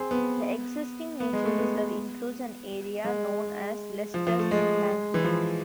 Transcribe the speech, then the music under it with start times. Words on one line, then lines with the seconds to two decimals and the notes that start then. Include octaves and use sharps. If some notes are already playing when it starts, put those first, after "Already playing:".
The existing nature reserve includes an area known as 'Lester's Embankment'.
Already playing: C4 G#4
0.11 B3
1.20 B3
1.33 G#3
1.45 A3
1.58 B3
3.04 G#3
4.14 F3
4.27 F3
4.39 A3
4.51 G#3
5.14 E3
5.24 F3